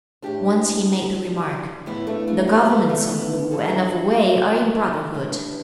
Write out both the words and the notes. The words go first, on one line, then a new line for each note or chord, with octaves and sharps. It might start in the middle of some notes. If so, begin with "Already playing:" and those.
Once he made the remark, "The governments of Lu and of Wei are in brotherhood."
A2 E3 D4 G4
A2 E3 B3 E4
A3 D4
A3 D4
G3 B3
B3 E4
A3 D4
B3 E4
G2 D3 A4
B4
E4 A4
A2 E3 D4 G4